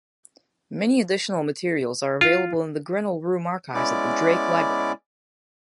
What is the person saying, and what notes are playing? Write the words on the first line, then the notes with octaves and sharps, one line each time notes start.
Many additional materials are available in the Grinnell Room Archives at Drake Library.
F4
G#3 B3 C#4 E4 D5 D6